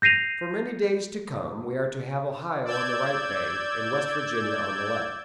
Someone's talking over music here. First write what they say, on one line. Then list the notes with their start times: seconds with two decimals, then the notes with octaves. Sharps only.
For many days to come we are to have Ohio on the right bank and West Virginia on the left.
0.02 G6 A#6 C7 D#7 F7
2.65 D5 E6 G6 G#6